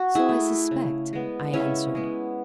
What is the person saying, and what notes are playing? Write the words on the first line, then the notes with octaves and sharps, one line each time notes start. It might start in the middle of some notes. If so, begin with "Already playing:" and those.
'So I suspect,' I answered.
Already playing: F#4
E4 G#4
A3
C#3
G#3 B3
C#3 C#4 E4
G#3 B3